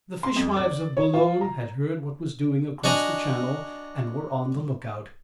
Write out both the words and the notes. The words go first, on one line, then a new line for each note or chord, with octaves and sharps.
The fishwives of Boulogne had heard what was doing across the Channel, and were on the lookout.
C6
F2
D5
C#5
F4
A#5
D4 F#4 D#5 G#5 A#5